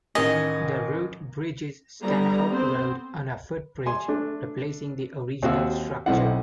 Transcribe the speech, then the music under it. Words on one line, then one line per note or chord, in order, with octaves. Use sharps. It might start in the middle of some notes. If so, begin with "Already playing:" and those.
The route bridges Stanhope Road on a footbridge replacing the original structure.
A1 D#3 D#5 G#5
D3 G3 B3 A#5
B3 C4 C5
G#5 C6
A3 D4
D#2 C4 F#4 F5 E6
B1 A3 C4 D#4 E4 F#5